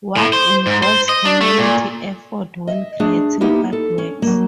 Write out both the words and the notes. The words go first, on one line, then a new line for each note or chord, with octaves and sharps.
Watt involves community effort when creating artworks.
A2
C5
G#2
C5
D#5
D4
A3
A#2
D#5 E5
A3 D4 G#4
A#3 B3 D#4 E4 G4 B4
A4
C#4
F#3 A#3